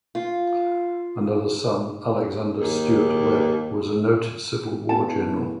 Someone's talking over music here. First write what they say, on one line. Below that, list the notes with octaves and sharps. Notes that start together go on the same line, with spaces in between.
Another son, Alexander Stewart Webb, was a noted Civil War general.
F4
D#2
E2 A5